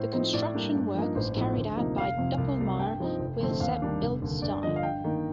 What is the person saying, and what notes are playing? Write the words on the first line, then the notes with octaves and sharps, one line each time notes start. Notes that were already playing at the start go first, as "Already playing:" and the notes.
The construction work was carried out by Doppelmayr with Sepp Bildstein.
Already playing: A2 C5
F3 C4 D#4
A2 D5
G3 A#3 D4
G2
F3 A#3 D#4
A1 C5
A2 F3 C4 D#4
D2
C3 F3 A#3 D#4
F1 F5
F2 C3
C2
C3 G3
G2 G5
F3 C4 D#4
F1
F2 D3 A3 C4
D#2 F5
D#3 G3 D4
F1
D#2 D3
G2 D5
D3 F3 D#5
F5
G2 G5
D#3 A#3 D#4